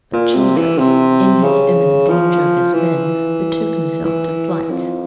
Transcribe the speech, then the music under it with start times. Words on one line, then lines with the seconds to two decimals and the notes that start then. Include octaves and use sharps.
But Cheldric, in his imminent danger of his men, betook himself to flight.
0.13 A#2
0.34 C3
0.57 E3
0.78 C3
1.43 C#3
2.09 F3
2.74 E3
4.05 E3
4.70 F2